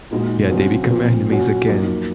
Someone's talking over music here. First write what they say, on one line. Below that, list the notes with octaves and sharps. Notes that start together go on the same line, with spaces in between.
Yeah, they become enemies again.
A#2 G#3 D#4 F#4
C#3 F#3 C4 F#4
A#2 F3 C4 F4
A#2 F#3 C#4 F#4
F#2 F3 A#3 D#4